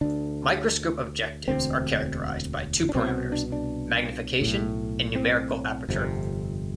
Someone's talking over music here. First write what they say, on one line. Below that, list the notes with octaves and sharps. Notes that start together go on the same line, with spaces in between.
Microscope objectives are characterized by two parameters: magnification and numerical aperture.
D2 D3 D4
E1 D2 D3 C4
D4
C2 B2 C4
D4
D4
B1 A2
C4
G1 F2 C3